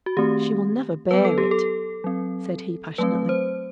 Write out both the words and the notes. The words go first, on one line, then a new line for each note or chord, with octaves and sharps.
'She will never bear it,' said he passionately.
F#4
D#3 A3 C4 G4
F#3 B3 B4
A4
G4
A4
F#3 C4
F#3 A3 C4 B4
C5